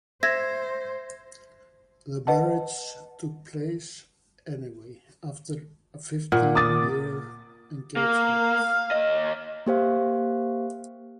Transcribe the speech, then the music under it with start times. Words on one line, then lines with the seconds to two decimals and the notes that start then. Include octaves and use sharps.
The marriage took place anyway, after a fifteen-year engagement.
0.23 C5 E5 G#6 A#6
2.27 B4 D#5 F#5 A5
6.32 A#2 F#5
6.55 D6 D#6 A6
7.97 A#3 F5
8.91 D#2 D#5
9.67 A#3 G4 C5 F5